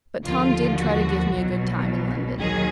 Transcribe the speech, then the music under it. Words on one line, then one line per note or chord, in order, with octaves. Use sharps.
But Tom did try to give me a good time in London.
D#2 D3 F3 F4
F#4
B1 B2 F#3
D#2 D#3 F#3 G#4